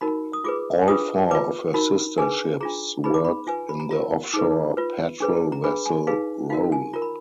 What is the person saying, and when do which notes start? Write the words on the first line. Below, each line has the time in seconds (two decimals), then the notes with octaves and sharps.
All four of her sister ships work in the offshore patrol vessel role.
0.01 D#4 F#4 A#4 B5
0.33 D#6
0.44 F4 G#4 B4 D6
0.88 D4 F4 G#4 B4 D#6
1.31 F4 B4 D6
1.74 D#4 F#4 A#4 B5
2.18 D4 G#4 B4 G#5
2.61 D4 F4 G#4 A#5
3.04 D#4 G#4 B4 B5
3.14 D6
3.25 B5
3.47 F4 B4 G#5
3.69 B5
3.80 A#5
3.91 F4 A#4 A#5
4.34 D#4 G#4 B4 D6
4.77 F4 B4
5.20 D4 G#4 B4
5.52 A#5
5.64 D4 G#4 B4 B5
5.86 G#5
6.07 D#4 G#4 B4 F5
6.50 D#4 F#4 A#4 F5
6.72 G#5
6.93 F4 A#4 A#5
7.02 B5